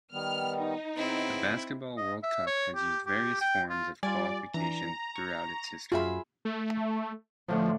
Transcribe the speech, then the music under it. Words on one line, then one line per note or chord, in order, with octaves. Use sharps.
The Basketball World Cup has used various forms of qualification throughout its history.
D#3 G3 B3 F6
D#4
C#3 B3 C4 E4
D#5
E5
C#5
G4
G4
G5
F4
G3 F4 D5 G#5
E3 D4 A#5
C#6
F#2 F4 F#4 G#4 E5 B5
A3
A2 D3 F3 A3